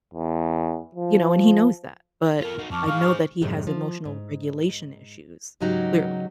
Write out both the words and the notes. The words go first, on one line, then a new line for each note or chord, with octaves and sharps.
you know, and he knows that, but I know that he has emotional regulation issues clearly.
E2
F3
F4 A4 A#4
D#4 F#4
F2 A5 C#6 D6 F6
D#4 G#4 F5
C5
F#2 A2 C3 D#3 G#3
F3
G#2
G#2 C#3 F#3 D#4 F#4 G4